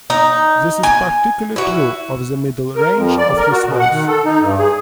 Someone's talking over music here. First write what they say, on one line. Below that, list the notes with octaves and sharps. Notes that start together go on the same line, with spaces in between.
This is particularly true of the middle range of his voice.
D#4
G#5
E4 F#4
A#4
F2
D5
A#4
F#4
B2
F#5
D#3
A4
D#4
G2
G#4